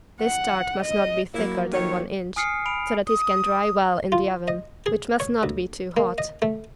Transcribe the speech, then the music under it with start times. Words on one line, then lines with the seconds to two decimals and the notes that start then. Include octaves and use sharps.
This tart must not be thicker than one inch, so that it can dry well in the oven, which must not be too hot.
0.20 F#5
0.83 D#5
1.34 F#3 A#3 E4
1.73 D#3 A3 C#5
2.36 G#5 D#6 F6 C7 C#7
2.65 B5 D7 F7
3.07 D#6
4.12 F4
4.48 D#5
4.86 G#4
5.20 C#5
5.43 D2
5.97 A#3
6.18 D#5
6.42 A3